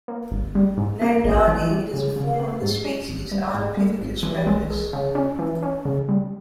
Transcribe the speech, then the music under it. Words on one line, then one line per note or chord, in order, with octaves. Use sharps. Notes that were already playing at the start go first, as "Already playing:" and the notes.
Named Ardi, it is a form of the species "Ardipithecus ramidus".
A#3
G1
G3
G#2
A#3
G#1
E3
G3
C#3
C#3
B3
G#2
C#4
G#1
G3
G#2
G3
G#1
E3
G#3
G#4
C#3
C#4
E3
C#4
C#3
G3